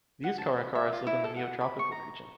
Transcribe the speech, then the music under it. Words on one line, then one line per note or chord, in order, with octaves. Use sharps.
These caracaras live in the neotropical region.
F#5
A5
B5
E5
F4
E4
A4
F#5
B5
C#6
A#5